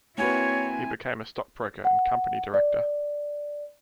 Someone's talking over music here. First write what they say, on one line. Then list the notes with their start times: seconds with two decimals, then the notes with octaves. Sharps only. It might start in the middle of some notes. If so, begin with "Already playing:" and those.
He became a stockbroker and company director.
0.18 A#3 C4 E4 F#4 B4 C#5 G#5
1.85 F#5
2.54 D5